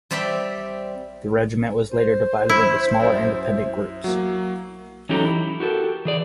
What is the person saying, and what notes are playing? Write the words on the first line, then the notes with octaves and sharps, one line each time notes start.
The regiment was later divided into smaller independent groups.
G3 C4 D5 E5 G5
C5
E4
F#2 E5
F#3 A#3
E3 F#3 C#4 D#4 G4 A4
E4
F#4 G4 A4 A#4
E3 G#4 D5